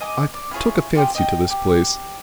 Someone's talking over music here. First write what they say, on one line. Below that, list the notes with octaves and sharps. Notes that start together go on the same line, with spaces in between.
I've took a fancy to this place.
D#5 G#5 D6
D5
E4 F4 G#4 C#5
F4 G4 G#4 G5
D#5 G5
G4